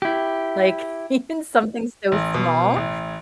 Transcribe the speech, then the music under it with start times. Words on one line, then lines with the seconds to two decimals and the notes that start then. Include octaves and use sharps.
Like, even something so small.
0.02 E4 G4
2.12 A1
2.34 B2
2.76 A1